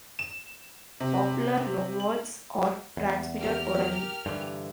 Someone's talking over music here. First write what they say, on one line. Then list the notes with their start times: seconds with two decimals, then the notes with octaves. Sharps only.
Popular loanwords are transmitted orally.
0.19 E7
1.00 C3
2.00 F#7
2.97 E2
3.38 G4 A#4 F6
4.26 G2 D3 E3